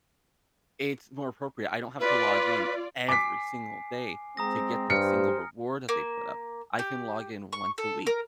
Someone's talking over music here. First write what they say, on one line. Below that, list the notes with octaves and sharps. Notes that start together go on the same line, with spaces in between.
it's more appropriate. I don't have to log in every single day to get the single reward that they put up. I can log in once a week,
F4 B4 D5
G#5 D6 B6 C7
G#3 C4 A#5 D#6 A#6
G2 G4 C5 F6 C#7
A#3
G4
C#6
A4
A#4